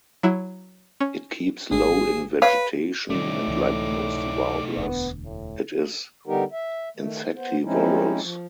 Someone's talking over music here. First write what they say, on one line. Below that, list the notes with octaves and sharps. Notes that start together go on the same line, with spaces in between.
It keeps low in vegetation, and, like most warblers, it is insectivorous.
F#3 E4
C#4
G#1 G#4
B4 C#5 F5
A2 D#3 G3 A3 C#4 D#4 D5
C#2 E3
E1 D2 B3 D4
A2
D3 G3 B3 D#4 G4 A#4
E5
D#3 A3
B3 C5
F3 G#3 C4 C#4 D#4 E4
F3